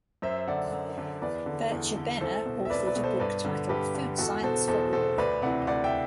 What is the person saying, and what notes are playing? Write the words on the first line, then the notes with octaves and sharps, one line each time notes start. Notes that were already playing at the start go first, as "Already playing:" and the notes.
Bircher Benner authored a book titled "Food Science for All".
F#2 C5 E5
D3 D5 F#5
F#2
D3
E2 B4 D5
D3
E2
D3
C2 A4 C5
B2
E5
C2 B4 D5
B4 D5
B2
A4 C5
G2 B4 D5
D3
G2 G4 B4
D3
E2 F#4 A4
B2 A4 C5
E2 A4 C5
B2 A4 C5
D2 B4 D5
C3 E3 D5 F#5
D2 D5 F#5
E5 G5